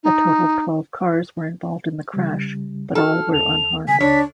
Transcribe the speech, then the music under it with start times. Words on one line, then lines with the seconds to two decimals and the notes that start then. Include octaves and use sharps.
A total of twelve cars were involved in the crash, but all were unharmed.
0.04 D#4
2.14 C#3 G3
2.95 D#4 F#4 A4 F6
3.34 D#2 F7
3.88 C#3 G#5 B6
4.00 C#2 C#3 D4 C#5